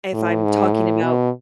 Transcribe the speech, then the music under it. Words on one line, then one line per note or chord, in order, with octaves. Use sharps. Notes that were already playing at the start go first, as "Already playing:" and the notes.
if I'm talking about
A2
G#2
A2
B2